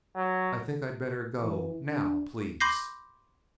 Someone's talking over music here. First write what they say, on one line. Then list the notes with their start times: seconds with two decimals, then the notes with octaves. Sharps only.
"I think I'd better go, now, please."
0.16 F#3
1.43 E3
1.87 D4
2.60 B5 C6 D6 G6 A#6 C7